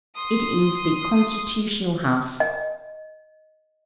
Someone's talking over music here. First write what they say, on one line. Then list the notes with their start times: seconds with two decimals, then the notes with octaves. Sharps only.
It is the constitutional House.
0.15 C6 D#6
2.40 D#5